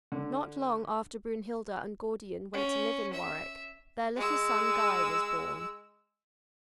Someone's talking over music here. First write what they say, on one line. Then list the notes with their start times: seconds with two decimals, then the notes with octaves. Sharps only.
Not long after Brunhilda and Gordian went to live in Warwick, their little son Guy was born.
0.12 D3
2.53 C#4
3.13 E5
4.17 G#3 E6